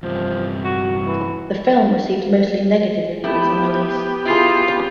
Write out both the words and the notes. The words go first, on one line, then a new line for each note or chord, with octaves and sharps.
The film received mostly negative reviews on release.
E2 G2 C3 F3
F#4
E3
A3 B3 E4 G4
E4 F4 G#4